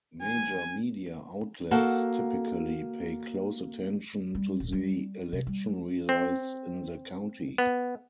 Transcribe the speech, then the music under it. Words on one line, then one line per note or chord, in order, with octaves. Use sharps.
Major media outlets typically pay close attention to the election results in the county.
G#5
A#3 F#4 A4 F#5
G3
D#1
G3
C3
G3
C4
B3